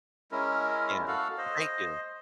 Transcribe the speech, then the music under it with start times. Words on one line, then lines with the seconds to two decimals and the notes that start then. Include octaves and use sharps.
Yeah, well thank you.
0.32 G#3 C#4 E4 A#4
1.08 F#4 A4 F5 F#5
1.38 C5 D#5